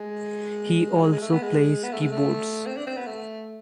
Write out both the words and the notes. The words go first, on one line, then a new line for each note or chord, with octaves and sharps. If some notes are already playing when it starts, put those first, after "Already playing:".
He also plays keyboards.
Already playing: G#3
F3
G#3
G#3
A3
B3
G#3
B3
A3
G#3
A3
C4
D4
C4
B3
A3